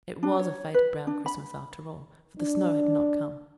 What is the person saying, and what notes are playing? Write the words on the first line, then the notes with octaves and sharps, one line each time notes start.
It was a faded brown Christmas after all, for the snow had not come.
D4
C#5
B4
D4
B5
D4